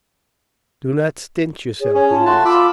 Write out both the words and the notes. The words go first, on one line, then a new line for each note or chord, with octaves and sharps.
Do not stint yourself in these.
G#4 C#5
C#4 C#5
F4 A5
A3 F#4 A5 C6
F4 B5 D6 E6